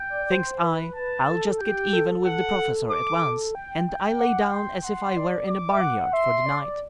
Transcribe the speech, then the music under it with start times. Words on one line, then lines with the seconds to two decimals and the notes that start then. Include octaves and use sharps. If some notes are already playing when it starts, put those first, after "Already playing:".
Thinks I, I'll just get even with the Professor at once, and I lay down as if I were in a barnyard for the night.
Already playing: G5
0.10 D5
0.25 D5
0.31 C5
0.64 B4
0.96 B4 A5
1.29 A4
1.61 G4 G5
1.93 A4
2.26 F#5
2.90 D6
3.55 G5
3.87 G5
4.19 F#5 D6
4.52 G5 C6
4.84 F#5 C6
5.17 D5
5.49 D6
5.71 E5
5.81 F#5
6.13 E5 C6
6.46 D5